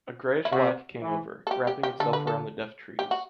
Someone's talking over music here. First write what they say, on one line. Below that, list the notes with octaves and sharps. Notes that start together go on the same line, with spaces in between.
A greyish black came over, wrapping itself around the deaf trees.
E4
C3 F#4
E3
A4
G4
G4
G4
D3 A4
B4
A4
G4
F#4